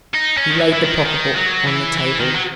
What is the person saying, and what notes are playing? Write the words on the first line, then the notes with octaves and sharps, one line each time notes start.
He laid the pocket-book on the table.
D#4
C#4
D#3
E3
E3
D#3
D#3
F#3
E3
E3
D#3
F#3